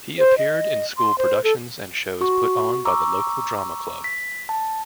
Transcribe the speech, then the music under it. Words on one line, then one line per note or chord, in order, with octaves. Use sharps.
He appeared in school productions and shows put on by the local drama club.
C5
D#5
C6
C5
A4
F#4 C#6
A#5 C#6 D6 E6
B6
A5